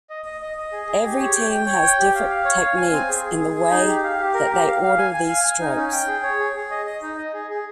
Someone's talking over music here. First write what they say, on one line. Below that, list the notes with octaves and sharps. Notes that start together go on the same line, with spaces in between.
Every team has different techniques in the way that they order these strokes.
D#5
D#5
D#5
D#5
G#4
G#4
G4
C#5
G5
G5
C#5
G5
G4
F5
F5
C#5
F5
G#5
C4
G#4
G#4
G#4
G#4
D#4
G4
F5
G4
A#4
G4
F5
F5
G#5
G#5
F5
G#5
D#4
C#4
G5
G#4
C#5
G#4
G#4
D#5
D#5
D#4
D#5
G#4
G#4